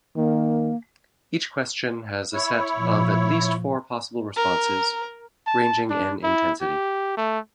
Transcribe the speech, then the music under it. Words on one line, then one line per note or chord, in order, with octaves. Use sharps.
Each question has a set of at least four possible responses, ranging in intensity.
D#3 A#3
E4 C#5
A#2 F3
A#4
A5
D4
E4
G4
A3